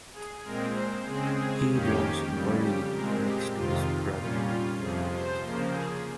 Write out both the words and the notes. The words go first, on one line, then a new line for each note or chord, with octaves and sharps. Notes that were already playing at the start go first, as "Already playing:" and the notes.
He was buried next to his brother.
G#4
A#2 G#3 C4 A#4
C5
C#3 G#3 C4 G#4
G#4
F2 D#3 A#3 C#4 G4
F2 C#3 G3
G4
A#2 G#3 C4 A#4
G4
F2 C3 D#3 F4
A#2 G3 C#4 F4
F4
F2 C3 F3 G#4
C5
C#3 F3 A#3
G#4